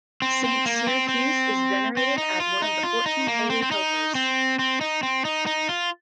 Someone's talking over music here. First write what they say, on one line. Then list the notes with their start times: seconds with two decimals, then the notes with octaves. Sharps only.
Saint Cyriacus is venerated as one of the Fourteen Holy Helpers.
0.22 C4
0.44 C4
0.66 A#3
0.87 C4
1.09 C4
1.97 C4
2.18 D#4
2.40 F4
2.62 D#4
2.83 F4
3.06 D#4
3.27 A#3
3.50 C4
3.62 C4
3.71 D#4
4.15 C4
4.59 C4
4.81 D#4
5.03 C4
5.25 D#4
5.46 D#4
5.69 F4